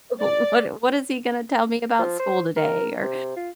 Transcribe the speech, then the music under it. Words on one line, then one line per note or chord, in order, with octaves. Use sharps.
"What what is he gonna tell me about school today," or,
D5
F3
C5
A#4
C3
F4